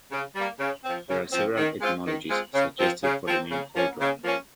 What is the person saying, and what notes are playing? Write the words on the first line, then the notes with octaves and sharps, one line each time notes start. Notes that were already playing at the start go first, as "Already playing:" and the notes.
There are several etymologies suggested for the name "Odra".
C#3
G3 A#3
C#3
F3 C4
C#3
F3 C4
D#3
G#3 C4 F4
D#3
G#3 C4 F4
C#3
F3 C4
C#3
F3 C4
C#3
F3 A#3 C#4
C#3
F3 A#3 C#4